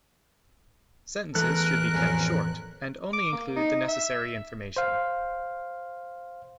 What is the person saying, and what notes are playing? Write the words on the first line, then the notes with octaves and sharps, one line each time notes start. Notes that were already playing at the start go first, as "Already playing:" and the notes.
Sentences should be kept short, and only include the necessary information.
E2 A3 A#4 F#6
A1 F2 C#4
D6
A#3
D#4
E5
C5 F5